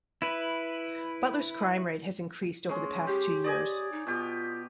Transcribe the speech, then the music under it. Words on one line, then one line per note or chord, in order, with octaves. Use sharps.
Butler's crime rate has increased over the past two years.
E4 B4
G#3 C#4 C6
G4 G5 D6
D5 D#5 G#5
D#4
B2 F4 G4